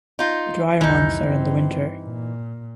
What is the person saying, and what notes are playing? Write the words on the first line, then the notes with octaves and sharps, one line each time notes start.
The drier months are in the winter.
D#4 F4
C2 F2 E3 D#4
G2 C4
A#2